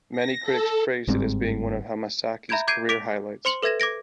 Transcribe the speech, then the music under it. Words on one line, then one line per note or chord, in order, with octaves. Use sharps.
Many critics praised it as being one of Hamasaki's career highlights.
A#6
A4
G1 G#2 G3 C4
E5 A#5 B5 G6 G#6 D7
D6 G6 G#6 C7 D7 D#7
D6 B6 D7 F7
C5 C6 C#7 F#7
A4 B4 E5 G#6 A#6 E7
D6 G#6 A#6 D7